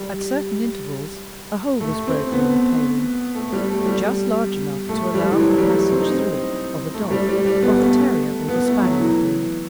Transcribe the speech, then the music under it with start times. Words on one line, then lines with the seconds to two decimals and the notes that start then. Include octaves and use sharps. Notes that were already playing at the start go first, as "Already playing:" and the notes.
At certain intervals a hole was broken in the paling just large enough to allow of the passage through it of a dog of the terrier or the spaniel breed.
Already playing: G3
1.80 A3
2.07 C4
2.32 B3
3.34 A3
3.52 G3
3.70 A3
3.86 G3
4.89 A3
5.14 G3
5.31 E3
5.39 F#3
5.57 G3
5.75 A3
5.92 C4
6.00 D#4
6.10 C4
6.94 A3
7.11 G3
7.29 G3
7.45 G3
7.63 B3
7.80 A3
8.48 B3
8.66 A3
8.82 F#3
8.99 E3